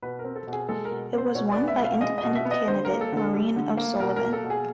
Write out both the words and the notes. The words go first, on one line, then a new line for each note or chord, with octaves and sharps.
It was won by Independent candidate Maureen O'Sullivan.
B2 B4
A#4
C4
A4
B2
G#4
G#3 A4
A#4
B2
C4 C5
B2 C#5
B3 D5
E5
B2
F5
G#3 D#5
D#5
B2
E5
B3
D#5
D3 C5
A#4
A#3
A4
D3 A4
G3
D3
A#3
B2 A#4
A#4
A#3
A4
B2
G#4